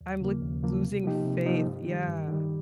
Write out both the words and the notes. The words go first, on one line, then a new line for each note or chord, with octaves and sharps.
I'm, like, losing faith yeah.
D#2
C#3 F3 A#3
D#2
C#3 F3 A#3
C3
F3 A#3 D#4 G4
C3
F3 A#3 D#4 G4
G2
D#3 G3
G2
D#3 G3